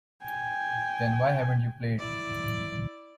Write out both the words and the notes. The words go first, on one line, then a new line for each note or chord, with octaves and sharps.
Then why haven't you played?
G5 G#5
E4 D5